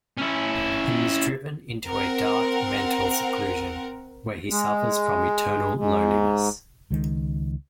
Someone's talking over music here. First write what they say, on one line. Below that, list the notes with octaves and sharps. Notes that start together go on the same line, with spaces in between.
He is driven into a dark mental seclusion where he suffers from eternal loneliness.
C#4 E4
C4 A#4 F#5
G#3
G#2
C#2 D#3 G#3